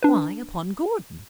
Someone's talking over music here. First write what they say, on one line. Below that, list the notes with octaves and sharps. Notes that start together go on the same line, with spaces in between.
"Why upon Gordon?"
D4 B4